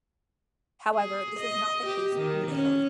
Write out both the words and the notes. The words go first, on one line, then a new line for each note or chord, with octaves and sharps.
However, this is not the case prenatally.
G#4
D#5
G4
D#3
C#4